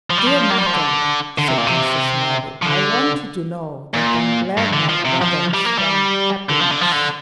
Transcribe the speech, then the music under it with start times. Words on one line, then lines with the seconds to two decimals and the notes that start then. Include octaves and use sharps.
"Dear Natalie," said Princess Mary, "I want you to know that I am glad my brother has found happiness...."
0.10 F3
0.18 G3
0.27 F3
0.50 A#3
0.58 G3
0.66 F3
0.74 D3
1.38 D3
1.48 C3
1.58 A#2
1.67 C3
2.62 F3
2.65 D3
3.94 A#2
4.57 G2
4.73 D3
4.89 F3
5.05 C3
5.22 F3
5.54 G3
5.65 A#3
5.78 G3
6.49 D3
6.60 F3
6.71 D3
6.81 F3
6.92 D3